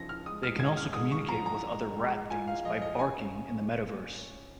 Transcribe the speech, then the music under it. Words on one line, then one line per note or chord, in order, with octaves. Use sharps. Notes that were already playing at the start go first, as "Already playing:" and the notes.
They can also communicate with other Rat Things by "barking" in the Metaverse.
Already playing: C#3 F3 D#4 A#6
F6
G#3 D#6
F6
G#2 G#6
F6
G#2 D#6
C#6
F3 A#5
A#5
G#3
G#2
F4 G#5
F5
F3 D#5
D#5
C#4 G#5